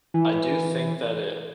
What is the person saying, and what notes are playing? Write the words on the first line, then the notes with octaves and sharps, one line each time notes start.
I do think that it
E3
E3